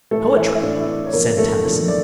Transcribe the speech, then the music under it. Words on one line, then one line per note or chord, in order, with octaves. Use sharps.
"Poetry," said Tennyson.
A2 E3 A3 A4
E3 E4
E4
A2 E3 D4
E4
D4
C#5
E2 D3 F3 A#3 A#4
A3 A4
E2 D3 F3
D5